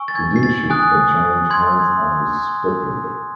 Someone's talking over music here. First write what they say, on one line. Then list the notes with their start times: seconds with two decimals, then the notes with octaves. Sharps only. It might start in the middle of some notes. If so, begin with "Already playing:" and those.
The Deanship can change hands unexpectedly.
Already playing: G#5 C#6 E6
0.08 A6
0.15 G#6
0.36 C7
0.43 A6
0.70 G#5 D#6 F#6
1.50 C6 E6 G#6